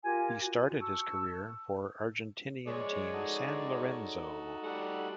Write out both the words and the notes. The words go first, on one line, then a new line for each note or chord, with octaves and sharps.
He started his career for Argentinian team San Lorenzo.
F4 G4 A#4 G#5
F#4
A5 C#6 E6
G#3 C#5 D5
D#4 F#4 A4
G3 A3 F#5